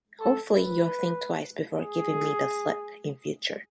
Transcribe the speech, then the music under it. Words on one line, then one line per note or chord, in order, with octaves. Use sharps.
Hopefully, you'll think twice before giving me the slip in future.
A4
B4
G#4